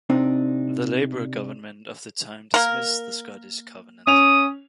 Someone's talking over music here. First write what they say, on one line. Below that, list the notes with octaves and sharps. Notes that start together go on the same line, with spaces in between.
The Labour government of the time dismissed the Scottish Covenant.
C3 C4 D4 D#4
A#3 A#4
C#4 D#6 F7